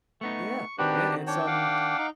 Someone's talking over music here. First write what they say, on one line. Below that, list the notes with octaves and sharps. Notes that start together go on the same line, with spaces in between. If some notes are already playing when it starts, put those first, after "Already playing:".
Yeah, yeah, it's, um,
A3 B3 D#4 C#6
D#3 C4 D4 F#4 G4 B4
D4 C#5 G5
F5 F#5 D6
D#4